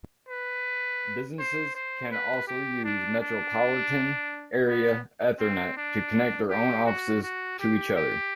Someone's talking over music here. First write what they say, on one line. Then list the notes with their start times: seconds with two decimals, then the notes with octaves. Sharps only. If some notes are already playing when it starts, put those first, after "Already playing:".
Businesses can also use metropolitan-area Ethernet to connect their own offices to each other.
0.29 B4
1.39 C5
1.75 C5
2.11 B4
2.48 G4
2.84 D4
3.21 D4
4.67 B3
5.40 C4
5.77 D4
6.50 G4
6.86 F#4
7.22 F#4
7.59 G4
7.96 G4